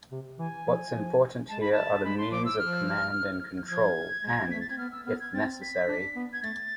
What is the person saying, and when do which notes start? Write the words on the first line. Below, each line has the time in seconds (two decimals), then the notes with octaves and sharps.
What's important here are the means of command and control and, if necessary...
0.12 C3
0.39 E3 G#5
0.67 F3
0.94 F3
1.49 G#3 A5
1.61 B5
1.72 A5
2.04 G#3 B5
2.18 C6
2.31 F3 D6
2.45 E6
2.59 F3 F6
3.69 F3 G#6
4.24 G#3
4.44 B3
4.51 A3 B6
4.61 A6
4.70 C4 G#6
4.78 B3 F6
4.92 E6
5.06 B3 F6
5.20 G#6
5.33 C4 A6
5.61 B6
5.88 D4
6.16 B3
6.33 G#6
6.43 A3 A6